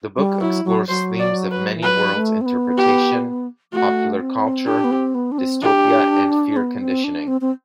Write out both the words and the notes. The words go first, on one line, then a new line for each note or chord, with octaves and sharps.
The book explores themes of Many-worlds interpretation, Popular culture, Dystopia and Fear conditioning.
G3
F#3 E4
F#3
F#3 C5
D5
B4
E3
F#3 B4
A3
C4
B3
G4
A3 F#4
C4
D4 G4
B3
C4
B3
D4
C4
D4 G4
B3
C4
D4
C4
C4